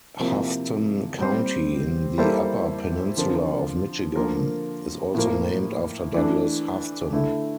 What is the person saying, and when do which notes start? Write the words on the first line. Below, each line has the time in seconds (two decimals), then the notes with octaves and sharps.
Houghton County, in the Upper Peninsula of Michigan is also named after Douglass Houghton.
0.19 C3 F3 A#3 E4
1.19 G3 C4 G4 C5
2.18 G3 A#3 E4 A4 C5
3.17 D3 F3 C4 F4 A#4
4.16 D3 F3 A#3 F4 A#4
5.15 A2 F3 A#3
6.14 E3 A3 D4
7.13 D3 A3 E4